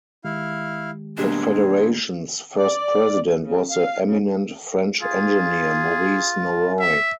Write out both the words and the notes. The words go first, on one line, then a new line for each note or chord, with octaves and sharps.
The federation's first president was the eminent French engineer, Maurice Norroy.
D#3 G#3 E4 G4 F5
B2 G3 A#3 C4 D4 G#4
D5
C#3
F5
C#3
F4 G#4
E5